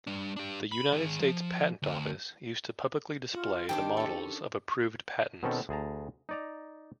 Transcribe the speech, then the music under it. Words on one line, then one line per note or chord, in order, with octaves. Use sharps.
The United States Patent Office used to publicly display the models of approved patents.
G3 D4
D4 G4
B5
D#3 G#4
F3
D2
F4 F#4
D#3 C4 D4 G4 G5 A5 D6
C#4 A4
B2 D#3 C4 C#4 A4
D2 G#4 A5 A#5
D#4 D5 A#5